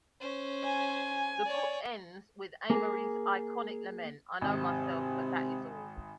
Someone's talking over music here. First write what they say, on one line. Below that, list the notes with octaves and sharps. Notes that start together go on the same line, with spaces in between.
The book ends with Amory's iconic lament, "I know myself, but that is all".
C#4 C5
G#5
C#5 D5
A#3 G#4
G#1 C3